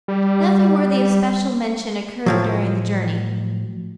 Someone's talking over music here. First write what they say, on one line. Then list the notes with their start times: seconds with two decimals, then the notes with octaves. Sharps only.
Nothing worthy of special mention occurred during the journey.
0.08 G3
2.26 A2 F3 F#3